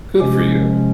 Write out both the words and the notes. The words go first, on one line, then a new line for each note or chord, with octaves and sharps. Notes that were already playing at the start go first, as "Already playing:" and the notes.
Good for you.
C3 F3 G#3 C#4 G4